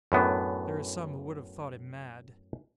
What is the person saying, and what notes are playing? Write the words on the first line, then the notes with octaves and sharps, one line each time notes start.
There are some who would have thought him mad.
F#2 A2 B3 D4